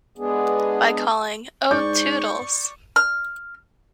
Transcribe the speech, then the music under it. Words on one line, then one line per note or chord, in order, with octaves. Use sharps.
By calling, Oh Toodles!
G#3 B3 D4 G#4
G#2 D5 C#6 G6
F6